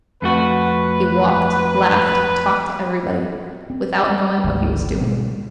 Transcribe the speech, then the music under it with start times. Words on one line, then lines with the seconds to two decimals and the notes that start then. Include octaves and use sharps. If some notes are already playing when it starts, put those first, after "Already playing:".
He walked, laughed, talked to everybody, without knowing what he was doing.
0.22 F2 A3 F#4 B4
3.70 C4
4.44 G#1 D2 F3
5.00 B2